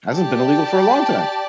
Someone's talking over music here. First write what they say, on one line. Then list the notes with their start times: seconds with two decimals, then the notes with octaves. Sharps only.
Hasn't been illegal for a long time,
0.11 G4 D5 A5